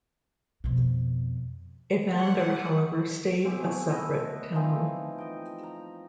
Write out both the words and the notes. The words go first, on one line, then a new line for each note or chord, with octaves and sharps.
Evander however stayed a separate town.
F2 B2
F#5
B2 C4 G#5 D6
A3 F#4 G#4
A4 B4 D#5 E5
E3 F3 C4 D#4
D#5 G5
A#5